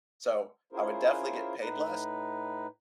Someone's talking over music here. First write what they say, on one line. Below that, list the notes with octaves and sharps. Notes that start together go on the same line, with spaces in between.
so I would definitely get paid less,
C#4 E4 F4 G#4 A#4 C5
A2 D#4 B4